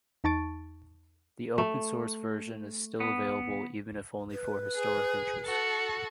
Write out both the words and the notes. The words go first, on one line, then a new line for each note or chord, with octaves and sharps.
The Open Source version is still available, even if only for historic interest.
E2 D#4 A5 C#6 A6 D7
A3
B3
B4
G#4
F#4 A4